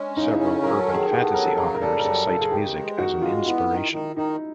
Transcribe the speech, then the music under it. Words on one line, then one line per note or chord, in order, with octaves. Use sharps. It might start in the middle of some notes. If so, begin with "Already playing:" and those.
Several urban-fantasy authors cite music as an inspiration.
Already playing: G#3 C#4 D4
C#3 D#4
E4
C#4
F#3 A#4
A4
D#3
G#4
B3 G4
A4
F#3 A#4
A4
C#3 A#4
A#4
G3 A4
A#4
F#2 A4
C#3 A4
G#4
D#3 G4
G#3
D#3 F#4
G#3 F4
B3 E4
D#3
D#3
D#3 D#4